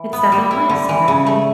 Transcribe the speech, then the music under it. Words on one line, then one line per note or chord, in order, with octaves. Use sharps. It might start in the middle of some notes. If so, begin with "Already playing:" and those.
It's definitely a Southern thing.
Already playing: E3
B3
G3
E4
D3
E3
C#3
A3